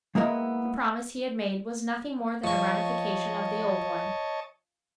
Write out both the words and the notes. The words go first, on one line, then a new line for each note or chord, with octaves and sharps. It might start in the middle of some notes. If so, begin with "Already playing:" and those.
The promise he had made was nothing more than a ratification of the old one.
G#3 A#3 B3 E4 A#4
F3 C#5 D#5 A5 C#6